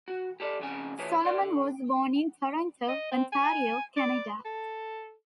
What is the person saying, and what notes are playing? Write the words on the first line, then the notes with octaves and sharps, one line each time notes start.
Solomon was born in Toronto, Ontario, Canada.
F#4
G4 A4 D5
F2 C#3 G#5
E3 F4 G#4 B4 C#5
A#4 D5 C6
D3
D#5
C4
G#5
D5
A4